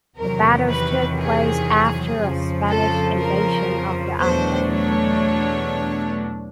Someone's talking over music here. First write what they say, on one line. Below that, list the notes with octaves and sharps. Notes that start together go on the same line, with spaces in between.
The battles took place after a Spanish invasion of the island.
E2 C3 D#3 F#3 A#4
B4
G#4
F2 C#3 F3
A4
A#4
E2 B2 F#3 A3 D4 C5
C#5